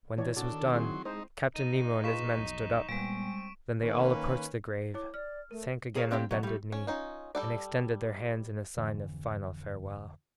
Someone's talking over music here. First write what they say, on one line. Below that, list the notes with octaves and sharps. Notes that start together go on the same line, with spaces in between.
When this was done, Captain Nemo and his men stood up; then they all approached the grave, sank again on bended knee, and extended their hands in a sign of final farewell. . . .
E3 E4 C#5 D5
A#2 D4 F#4 A4
D#3
F#3 C4 E4 G#4 C6
G#3 D#4 C5
D#4 D#7
F4 G#4 B4 C#6 B6 E7
B1 F2
A#2 G3 G#3 B3 C4 D7
D#3 A#3 C#4 B4
E4 C#5 D6
D5 F6
A3 A#4
G#4 A#4 C#5 F5
A#3 C4 D4 G4
B2 F#3
G3 A3
C#4
C#4 D#4 F4
G3 A4 D5
G#1 F2 D3 E3